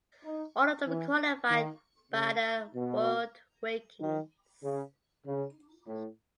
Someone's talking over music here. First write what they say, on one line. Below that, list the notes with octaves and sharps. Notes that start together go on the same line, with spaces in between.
All of them qualified by the world rankings.
D#4
E3
D#3
C#3
B2
D#3
C#3
C#3
A2